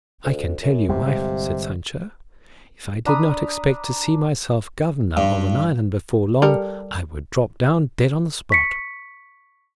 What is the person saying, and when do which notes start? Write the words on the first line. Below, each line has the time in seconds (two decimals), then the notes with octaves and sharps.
"I can tell you, wife," said Sancho, "if I did not expect to see myself governor of an island before long, I would drop down dead on the spot."
0.24 D2
0.62 F#2
0.89 G1 C3 G3 G#3
3.06 D4 A#5 B5 D#6
5.17 G2
6.42 G3 A4 A#4
8.50 C#6 B6 C#7